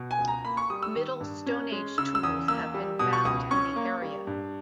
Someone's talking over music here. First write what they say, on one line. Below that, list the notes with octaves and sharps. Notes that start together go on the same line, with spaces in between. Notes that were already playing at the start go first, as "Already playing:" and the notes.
Middle stone age tools have been found in the area.
Already playing: B2
G#5
C#2
A#5
A#3 B5
C#6
G3 D#6
E6
D#3
G2
C#4
G#3
C#3 E6
E6
E2 D#6
A#3 E6
G3
B2 D#6
C#6
C#2 D#6
C#4 C#6
A#3
G3
G2